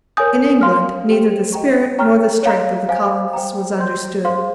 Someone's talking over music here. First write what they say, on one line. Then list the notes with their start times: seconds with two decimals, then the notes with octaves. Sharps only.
In England neither the spirit nor the strength of the colonists was understood.
0.17 A#4 C#5 G#5 D#6 G6
0.61 F5 C6 F6
1.07 G4 C5 G5
1.52 D#5 G5 A#5 C#6
1.99 C#5 G5 A#5 C#6 F6
2.43 C#5 F5 A#5
2.89 C5 F5 G#5
3.33 C5 G5 A#5
3.79 C5 G5 C6 G6
4.25 G#4 C5 F5 C6